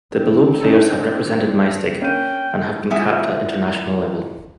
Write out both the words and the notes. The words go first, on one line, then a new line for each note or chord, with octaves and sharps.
The below players have represented Maesteg and have been capped at international level.
C4 D4
C#4 D#4 A4
A#3 C#4 G5 D#7
A2 G3 B3 F4 E5 G#5